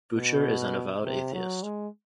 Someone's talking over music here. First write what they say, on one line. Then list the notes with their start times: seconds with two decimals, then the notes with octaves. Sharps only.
Boucher is an avowed atheist.
0.15 B2
1.04 C3
1.33 F#3
1.63 G#3